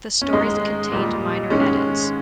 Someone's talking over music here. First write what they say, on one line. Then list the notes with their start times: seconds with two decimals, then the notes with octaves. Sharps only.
The stories contained minor edits.
0.22 C#4
0.33 G#2 D#3 G#3 D#4
0.92 A#2 G3
1.50 G#2 D#3 G#3 C#4